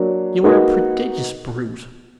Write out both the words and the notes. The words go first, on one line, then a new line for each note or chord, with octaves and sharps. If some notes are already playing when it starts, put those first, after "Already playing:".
You are a prodigious brute.
Already playing: F#3 A#3 D4
A#3 D#4 F#4 B4 D#5